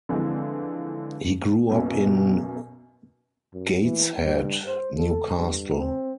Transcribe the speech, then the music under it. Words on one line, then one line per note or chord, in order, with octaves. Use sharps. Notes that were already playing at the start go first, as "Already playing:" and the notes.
He grew up in Gateshead, Newcastle.
D3 E3 F3 G#3 C4
B1 F#2 B2
F#2
E3
G2
C5
A4
G2
C4